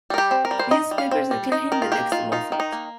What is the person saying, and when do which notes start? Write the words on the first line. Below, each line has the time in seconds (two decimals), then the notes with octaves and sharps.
Newspapers declared him the next Mozart.
0.10 G3 A#4
0.18 G4
0.31 C4
0.45 A#4
0.51 G3
0.59 C5
0.71 D#4 D#5
0.91 G3
0.98 F5
1.11 C4
1.31 G3
1.52 D#4 D#5
1.72 D#3 A#4
1.82 F4
1.92 A#3 G4
2.12 D#3 F4
2.32 D#4 F4
2.52 D#3
2.60 D#4
2.72 A#3